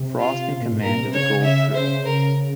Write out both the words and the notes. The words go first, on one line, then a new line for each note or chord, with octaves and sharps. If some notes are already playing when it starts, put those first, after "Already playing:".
Frost in command of the Gold Crew.
Already playing: C3
F4
C3
A#2
G#2
A#2 A#4
C3
C#3 C#5
E5
C#3 C5
C#3 A#4